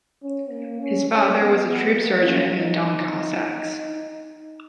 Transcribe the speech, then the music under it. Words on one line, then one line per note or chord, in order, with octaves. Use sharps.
His father was a Troop Sergeant in the Don Cossacks.
C#4
A#3
C#4
C#4
B3
B3
A#3
C#4
D#4
D#4